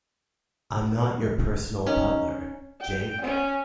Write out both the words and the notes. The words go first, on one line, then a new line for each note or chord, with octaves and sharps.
I'm not your personal butler, Jake.
C#4 D#4
G5
C#4